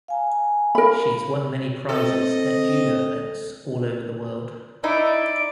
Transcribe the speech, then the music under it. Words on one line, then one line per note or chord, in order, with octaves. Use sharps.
She has won many prizes at Judo events all over the world.
F5 G#5 A#5
A#4 B5
C4 A4 D#5
D#4 E4 D5